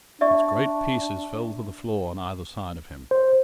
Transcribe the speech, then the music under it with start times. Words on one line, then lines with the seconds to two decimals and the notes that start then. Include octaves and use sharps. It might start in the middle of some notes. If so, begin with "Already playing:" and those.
Its great pieces fell to the floor on either side of him.
0.21 D4 D5 E5 C#6
3.11 C5